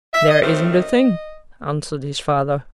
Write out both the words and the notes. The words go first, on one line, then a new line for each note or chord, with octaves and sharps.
"There isn't a thing," answered his father.
E5
D#5
F#2 D#3 A3 C4 C5
D#5